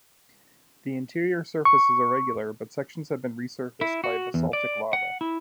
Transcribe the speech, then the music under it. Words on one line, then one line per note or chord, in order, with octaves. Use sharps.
The interior surface is irregular, but sections have been resurfaced by basaltic lava.
C#6
E4
F#4
E2
D5
F#5
E4